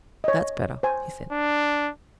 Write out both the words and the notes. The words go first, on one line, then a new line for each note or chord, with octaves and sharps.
"That's better," he said.
C#5 D#5
C5 G#5
D4